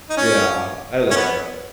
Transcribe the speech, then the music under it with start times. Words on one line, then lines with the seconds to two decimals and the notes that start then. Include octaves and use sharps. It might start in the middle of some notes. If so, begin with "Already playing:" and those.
Yeah, I love it.
0.10 D#4
0.17 C#4
1.10 C#4
1.16 B3